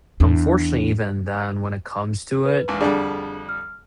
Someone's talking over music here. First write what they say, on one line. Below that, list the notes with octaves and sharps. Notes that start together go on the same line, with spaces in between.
unfortunately, even then when it comes to it,
E2 D4
B4
A#1 E2 G#2
F2 D3 G3 D4 G#4 D5
F6